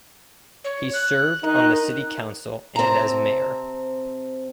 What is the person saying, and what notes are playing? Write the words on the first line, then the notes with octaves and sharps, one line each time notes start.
He served on the city council and as mayor.
C#5
F#6
D#3 D#4
C3 C4 G5 A5 A#5